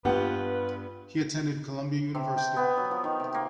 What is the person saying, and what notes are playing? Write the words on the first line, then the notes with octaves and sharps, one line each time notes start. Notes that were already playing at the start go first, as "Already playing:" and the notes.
He attended Columbia University.
G2 B3 F4 G4 B4 F#5
C3
G5
B3
F#3
F3
D#3
C3
A#3